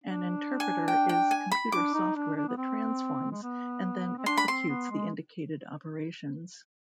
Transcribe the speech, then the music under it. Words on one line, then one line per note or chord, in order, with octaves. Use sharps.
An interpreter is computer software that transforms and then executes the indicated operations.
D4
G#5
G5
G5
G#5
B5
D4 D6
D#4
D4
D4
B3
C4
G#3
B3
C4
D4 C6
B5
C4 C6
B3
G#3